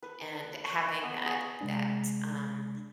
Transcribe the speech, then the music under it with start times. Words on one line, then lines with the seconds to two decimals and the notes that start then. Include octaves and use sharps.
and having that that, um,
0.03 B4
0.64 C#6
1.03 B3
1.26 G#4
1.61 C3 G#3 D4